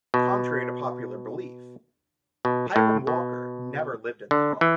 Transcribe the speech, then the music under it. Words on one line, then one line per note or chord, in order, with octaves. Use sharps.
Contrary to popular belief, Hiram Walker never lived in the home.
B2
B2
A2
B2
D3
E3